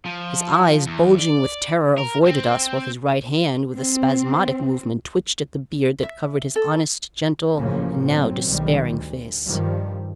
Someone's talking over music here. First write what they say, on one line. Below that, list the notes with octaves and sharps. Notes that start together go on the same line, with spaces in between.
His eyes, bulging with terror, avoided us, while his right hand, with a spasmodic movement, twitched at the beard that covered his honest, gentle, and now despairing face.
F3
E2
D5
A#4
C4
C4
E5
A4
A1 A2 C#3 F3 A#3 C#4
B2 F#3 C4
B1 D#3 G3
D2
G2 D#3 F3 G3